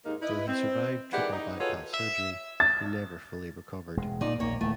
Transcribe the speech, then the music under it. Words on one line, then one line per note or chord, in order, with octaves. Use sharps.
Though he survived triple bypass surgery, he never fully recovered.
D#2 G#2 A#3 D#4
E4 B4 D#5
C4
D#3 E3 G#3 D4 G4 F#5
D#4
F4 F#4 G#4 A4 B4 C#5
E5
A6
E1 G#3
A#2 A#3 D#4 D5
A#1 D#2 A#3 C#5
D1 E3 A3